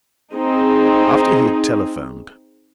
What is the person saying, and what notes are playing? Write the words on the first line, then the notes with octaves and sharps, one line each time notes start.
After he had telephoned.
C4 D#4 G#4